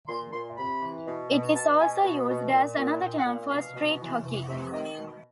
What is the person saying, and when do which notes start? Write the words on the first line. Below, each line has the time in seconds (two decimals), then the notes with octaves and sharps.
It is also used as another term for street hockey.
0.08 A#2 C6
0.33 A#2 C6
0.57 C3 B5
0.82 E3
1.07 B2
1.31 B2
1.55 B2 A5
1.79 B2 G#5
2.04 B2
2.29 B2
2.53 A#2
2.77 A#2
3.01 A#2 G5
3.19 F#5
3.27 A#2
3.34 F5
3.50 B2 F5
3.76 B2
4.00 E3
4.24 E3
4.48 C3 E5
4.73 D#3 D#5
4.97 B2